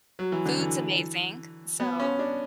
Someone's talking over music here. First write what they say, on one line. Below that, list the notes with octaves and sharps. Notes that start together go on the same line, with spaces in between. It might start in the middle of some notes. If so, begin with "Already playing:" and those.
Food's amazing, so
F#3
E3
D3
E3
B3
C#4
D4